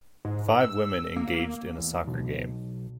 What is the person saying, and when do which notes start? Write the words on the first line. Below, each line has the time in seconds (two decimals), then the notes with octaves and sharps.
Five women engaged in a soccer game.
0.25 G#2
0.60 E6
1.16 A#3
1.78 E2
2.07 B1